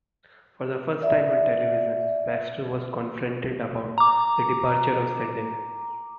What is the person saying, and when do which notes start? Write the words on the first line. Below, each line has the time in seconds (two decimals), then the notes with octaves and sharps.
For the first time on television, Baxter was confronted about the departure of Sundin.
1.02 D5 E5
3.98 A#5 D6